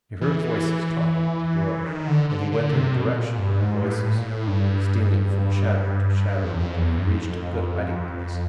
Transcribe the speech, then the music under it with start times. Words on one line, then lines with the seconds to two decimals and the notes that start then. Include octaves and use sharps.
He heard voices talking in the grove; and he went in the direction of the voices,--stealing from shadow to shadow, until he reached a good hiding-place.
0.21 E3
1.86 D#3
2.08 D3
2.30 D3
2.52 D3
2.73 C3
2.95 B2
3.17 A#2
3.38 G2
3.60 G#2
3.82 A2
4.04 A2
4.18 A#2
4.26 A2
4.47 G2
6.44 F2
6.53 E2
6.60 F2
6.77 E2
6.98 F#2
7.10 F2